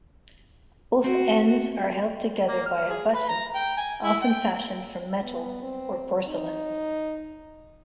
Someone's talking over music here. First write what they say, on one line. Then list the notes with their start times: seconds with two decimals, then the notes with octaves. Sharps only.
Both ends are held together by a button, often fashioned from metal or porcelain.
1.04 C4 F#4
2.48 A#3
2.66 F6
2.89 G#4
3.14 B4
3.28 A#5
3.55 G5
3.77 G#5
4.03 E4
4.21 G5
5.24 B3
5.62 C4
6.28 D#4